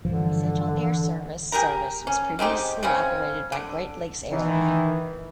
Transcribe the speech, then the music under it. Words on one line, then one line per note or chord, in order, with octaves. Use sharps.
Essential Air Service service was previously operated by Great Lakes Airlines.
G2 D3 E3 F3
E3
G4 G#4 A#4 A#5
C#4
G#3 C4 D#4 G4
C#3 C4 C#4
D3
D#3 E3